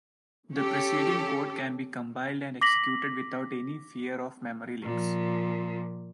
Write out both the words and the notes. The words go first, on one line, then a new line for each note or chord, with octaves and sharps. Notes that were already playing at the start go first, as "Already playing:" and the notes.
The preceding code can be compiled and executed without any fear of memory leaks.
C#4 G4 A4
D6 A#6 B6 F#7
A#2 F3